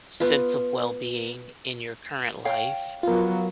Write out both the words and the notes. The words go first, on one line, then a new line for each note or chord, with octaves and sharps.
sense of well-being in your current life?
B3 F4
C#5 F5 G5
F#3 B3 F4 A#4